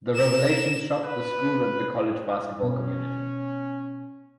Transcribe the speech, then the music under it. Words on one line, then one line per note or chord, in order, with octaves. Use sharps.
The revelations shocked the school and the college basketball community.
A#4 E7
B4
B2 C#4